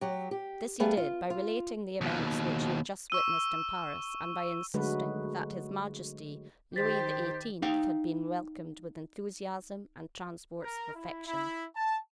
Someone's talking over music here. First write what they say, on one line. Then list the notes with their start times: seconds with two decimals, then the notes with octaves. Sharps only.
This he did, by relating the events which he had just witnessed in Paris, and by insisting that His Majesty, Louis XVIII., had been welcomed with enthusiasm and transports of affection.
0.01 F#3 G4
0.31 G4
0.80 G3 A3 B3 G#4 F5
0.97 F4
1.30 F4
2.01 D#2 B2
3.10 C#6 E6 D#7
4.74 D3 F#3 G#3 A3 F#4 B4
6.76 D#3 G4 C5 A6 B6
7.62 D#4 F5 G5
10.62 A#4
10.95 E4
11.26 E4
11.75 A5